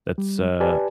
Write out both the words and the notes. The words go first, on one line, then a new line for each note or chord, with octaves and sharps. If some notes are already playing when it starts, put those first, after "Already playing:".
that's uh,
G3
G4 B4 D5 G#5 A5